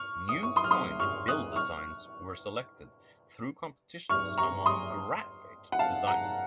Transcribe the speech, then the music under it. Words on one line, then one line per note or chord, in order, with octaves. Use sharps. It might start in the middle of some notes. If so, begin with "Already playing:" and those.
New coin and bill designs were selected through competitions among graphic designers.
Already playing: C#6 F6
D#6
C#6
C6 D#6
F6
C6 D#6
C#6 F6
D#6 F#6
C#6 F6
C#6 F6
A#5 C#6
C6 D#6
F#5
F5 A5
F#5 A#5